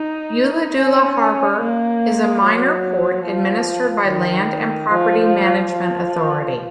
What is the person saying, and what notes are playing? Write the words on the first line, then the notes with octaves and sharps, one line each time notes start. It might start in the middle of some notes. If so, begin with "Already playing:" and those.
Ulladulla Harbour is a minor port administered by Land and Property Management Authority.
Already playing: D#4
C#4
A#3
F#3
F3
D#3
F3
F3